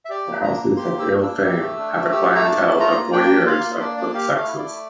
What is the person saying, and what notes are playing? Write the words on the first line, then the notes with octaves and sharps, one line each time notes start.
The houses of ill-fame have a clientele of voyeurs of both sexes.
E5
G4 D5
A#3
D4 A#5
A#3
G4 C6
A#3
E6
D4
E6
A#3
G4
A3
D4
A3
G4 E6
A3
A#5
D4 A5
A3
F4 A#5
A#3
D4 G5
A#3
F4 F5
A#3
D4 D5
A#3 D5
G4 F5
A3
F5
E4
D5
A3